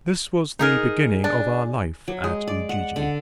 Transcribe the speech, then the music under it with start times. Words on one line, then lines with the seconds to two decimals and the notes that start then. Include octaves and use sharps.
This was the beginning of our life at Ujiji.
0.59 D#4 G#4 A#4
1.24 D4
2.08 F#3
2.24 G#3
2.48 D5
2.69 F#5
2.96 D3